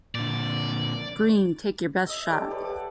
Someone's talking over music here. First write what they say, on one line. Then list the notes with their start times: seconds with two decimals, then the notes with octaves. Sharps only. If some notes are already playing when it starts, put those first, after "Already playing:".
Green, take your best shot.
0.15 A#2 D3 D5
2.07 D#5 E5
2.28 G4 A4 C#5 D5
2.50 G4 B4 D5
2.65 F#5 A5